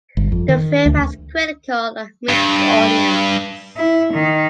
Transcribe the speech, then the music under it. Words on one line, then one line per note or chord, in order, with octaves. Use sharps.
The film has a critical and mixed audience.
G1
F2
D#3
D2
G2
E4
D#3